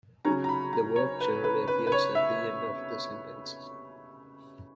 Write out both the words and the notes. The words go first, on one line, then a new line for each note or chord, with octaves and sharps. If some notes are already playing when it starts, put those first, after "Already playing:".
The verb generally appears at the end of the sentence.
C#3 F#3 C#4 A#5
A#5
B5
A#5
C#5
B4
B4
B4
B4
C#5
E5